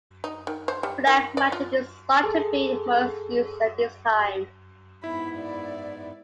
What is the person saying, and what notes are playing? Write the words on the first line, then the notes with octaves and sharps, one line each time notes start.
Black magic is thought to be most used at this time.
D#4
D#3
C5
G3
D#3
D5
F4
G#4 A4
G#2 B3 E4 E5 B5
D5